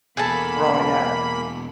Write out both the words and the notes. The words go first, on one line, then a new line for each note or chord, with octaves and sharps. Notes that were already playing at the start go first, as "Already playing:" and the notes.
growing up.
E2 B2 A#3 G#4 A4 A5 B5